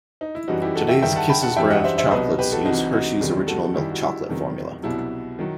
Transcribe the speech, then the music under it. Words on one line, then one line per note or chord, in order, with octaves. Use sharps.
Today's Kisses brand chocolates use Hershey's original milk chocolate formula.
D#4
E4
F#2 E3 G3 D#4 F#4
E4 G4
F#4 A4
E5 G5
G2 D#3 G3 E5 G5
F#5 A5
G5 B5
F#5 A5
F#2 E3 G3 E5 G5
D#5 F#5
C5 E5
C5 E5
C2 B2 F#3 B4 D#5
G4 B4
F#4 A4
C2 C3 E3 D#4 F#4
D#4 F#4
E2 C3 D#3 G3
F#4 A4
F#2 D#3 G3 E4 G4
F#4
E4
E2 C3 D#3 F#3
C2 B2 F#3 E4
D#3 F#3